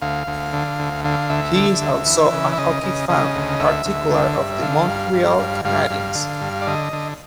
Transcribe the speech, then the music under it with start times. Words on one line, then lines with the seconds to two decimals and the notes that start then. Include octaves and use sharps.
He is also a hockey fan, particularly of the Montreal Canadiens.
0.02 D2 F5
0.27 D2
0.53 D3
0.79 D2
1.05 D3 F5
1.30 D2 E5
1.55 D3
1.82 D2
2.06 E3
2.33 C#3
2.52 E5
2.58 C#3 D#5
2.84 C#3
3.09 C#3 D#5
3.35 D2
3.60 D2 E5
3.86 D2
4.11 D3
4.36 G2
4.62 D3 F5
4.88 G2
5.14 G2
5.39 G2
5.65 G2 F5
5.90 G2
6.15 D3
6.41 G2
6.62 D5
6.67 D3 D#5
6.93 D3